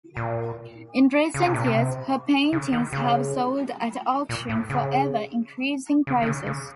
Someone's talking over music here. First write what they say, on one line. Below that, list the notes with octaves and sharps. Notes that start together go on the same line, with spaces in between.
In recent years, her paintings have sold at auction for ever increasing prices.
A#2
C#3
C3
A#2
C3
C#3
D#3
C#3
A#2
A2
C#3
C#3
D#3
C#3
C#3